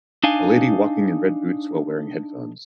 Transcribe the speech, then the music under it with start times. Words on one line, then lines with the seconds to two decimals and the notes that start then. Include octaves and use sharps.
A lady walking in red boots while wearing headphones.
0.24 D4 D#4 F5 G#5